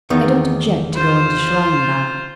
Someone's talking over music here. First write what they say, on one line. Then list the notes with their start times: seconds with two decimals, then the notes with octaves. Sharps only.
I don't object to going to Schlangenbad.
0.10 E2 D#3 B3
0.95 F4 C5